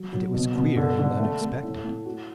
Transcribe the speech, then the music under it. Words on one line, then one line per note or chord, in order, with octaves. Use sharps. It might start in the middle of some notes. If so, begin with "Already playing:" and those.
And it was queer and unexpected.
Already playing: F#3
F#3
B2
B2
D3
D3
A3
A3
A2
A2
F#4